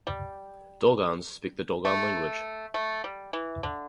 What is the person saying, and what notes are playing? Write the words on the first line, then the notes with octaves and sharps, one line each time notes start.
Dolgans speak the Dolgan language.
G3
A3
A3
G3
E3
D3